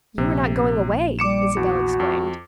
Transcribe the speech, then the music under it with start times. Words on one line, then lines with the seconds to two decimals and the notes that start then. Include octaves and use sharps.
"You're not going away!" Isabel exclaimed.
0.18 A#1 C3
1.19 G3 D6 C#7 E7
1.57 E2 F#4
2.00 F2